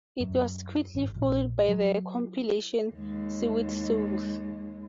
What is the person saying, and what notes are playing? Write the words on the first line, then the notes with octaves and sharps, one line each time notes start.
It was quickly followed by the compilation "Sewed Soles".
F#2
G#1
A#1
F#3
D#2 G#3